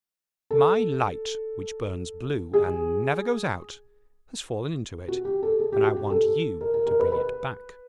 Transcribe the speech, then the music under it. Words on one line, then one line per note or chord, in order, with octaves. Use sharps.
My light, which burns blue, and never goes out, has fallen into it, and I want you to bring it back.'
A4
G#4
F#4
G4
A4
G#4
G4
F#4
G4
A4
A#4
A#4
A#4
B4
B4